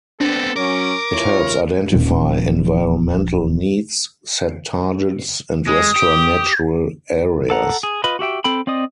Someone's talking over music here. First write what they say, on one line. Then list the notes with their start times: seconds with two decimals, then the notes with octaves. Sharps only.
It helps identify environmental needs, set targets, and restore natural areas.
0.21 B3 C4 D4 A4
0.56 F#3 C#4 A#4 D6
1.12 E4 F4 C#5
1.92 D#1 F3
5.67 G#3 D#6
5.96 G4
7.50 A4 F#5 A#5
7.83 G#4
8.04 F4 B4 D#5 B5
8.19 F#4 G4 E5 G5
8.44 C4 A4 G5 B5
8.67 C4 D5 D#5 D#6